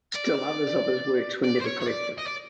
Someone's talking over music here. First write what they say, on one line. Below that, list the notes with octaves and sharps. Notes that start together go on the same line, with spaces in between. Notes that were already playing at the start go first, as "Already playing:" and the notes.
Still others of his works were never collected.
D5
D5
C5
C#5
C#5
D5
D#5
D5